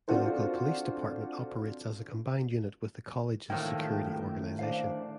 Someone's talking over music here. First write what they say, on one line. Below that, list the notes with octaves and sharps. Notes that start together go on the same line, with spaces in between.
The local police department operates as a combined unit with the college's security organization.
C4 D4 F4 F#4 A4 C5
A2 D#3 F3 A#3 E5 G5
D4 C5 F5